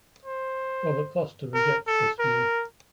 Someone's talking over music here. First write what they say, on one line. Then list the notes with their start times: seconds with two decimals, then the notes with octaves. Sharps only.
Robert Foster rejects this view.
0.25 C5
1.54 A#4
1.87 A4
2.19 A#4